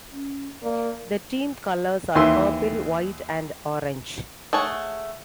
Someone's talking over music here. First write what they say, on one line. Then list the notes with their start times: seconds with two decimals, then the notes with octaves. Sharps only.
The team colours are purple, white and orange.
0.12 C#4
0.63 A#3 D5
2.15 D#2 E3 E5 C6
4.53 A3 G#4 C#5 F#5